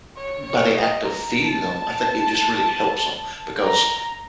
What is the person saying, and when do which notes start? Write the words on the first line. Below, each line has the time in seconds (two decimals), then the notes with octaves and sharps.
by the act of feeding them, I think it just really helps 'em because
0.17 C#5
0.46 C#5
0.74 D#5
1.03 A#5
1.47 A5
3.64 A#5